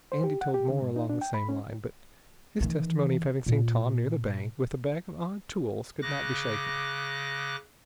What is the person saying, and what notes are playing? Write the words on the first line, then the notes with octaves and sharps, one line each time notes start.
Andy told more along the same line, but his testimony of having seen Tom near the bank, with a bag of odd tools could not be shaken.
C5
G4
F#5
G4
D3
G#2
D#4
D4
G5
B5
C#4
D#3 E3
A#2
C#3 D6 F#6 A#6